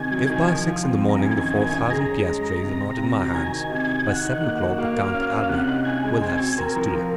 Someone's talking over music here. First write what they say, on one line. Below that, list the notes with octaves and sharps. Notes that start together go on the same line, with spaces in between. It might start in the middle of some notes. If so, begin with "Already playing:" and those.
"If by six in the morning the four thousand piastres are not in my hands, by seven o'clock the Count Albert will have ceased to live."
Already playing: C3 D#3 G#5
F#3
D#3
F3
F4
C4
C4
A#5
F#2 G#5
D#3
F#2
F#2
G#4 A#5
C#5
G#3
G#4
C3
C4
C3
F#4
D#3 G#5
D#4
C3
D#4
D#3 F#5
D#4
A#3
F#4
A#3 F5
A#3
C#4
C#4
C3 F#5
D#4
D#4 G#5
G#3
C4
F#4
C4 A#4
F3
F4